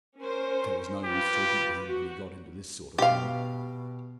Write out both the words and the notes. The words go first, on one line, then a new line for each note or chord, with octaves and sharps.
There was no use talking to him when he got into this sort of humour.
C#4 A#4 C5
F4 G4 B4
F#4
B2 G4 F5